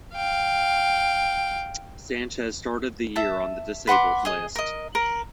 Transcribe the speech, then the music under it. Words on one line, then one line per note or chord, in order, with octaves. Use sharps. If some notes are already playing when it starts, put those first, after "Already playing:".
Sanchez started the year on the disabled list.
F5 G5
E5 A5
B4 F#5 C6 D6
G#4 D#5
A#4 D#5
A#4